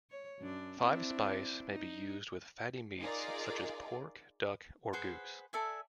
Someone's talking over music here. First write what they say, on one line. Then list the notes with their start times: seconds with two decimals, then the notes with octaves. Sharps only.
Five spice may be used with fatty meats such as pork, duck or goose.
0.10 C#5
0.40 F#2 D4
0.81 C4 D4 E4
1.68 D#4
3.00 D#4 F4 G#4 A#4 D5
4.93 G#4 B4 C5 F#5
5.53 A4 D5 E5 G#5